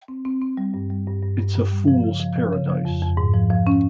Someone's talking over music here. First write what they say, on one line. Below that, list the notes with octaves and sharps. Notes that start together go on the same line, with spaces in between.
It's a fool's paradise.
C4
C4
C4
G3
G2
G3
G2
G2
G2
G2
G3
F3
C#3
F3
F3
C#3
F3
F2
F2
G#2
F3
F3
C#4